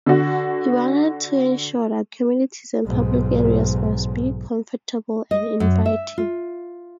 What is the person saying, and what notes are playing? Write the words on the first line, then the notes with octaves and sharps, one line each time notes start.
He wanted to ensure that communities and public areas must be comfortable and inviting.
D3 F#4
B1 G#2
D#5
F#2
E5
F4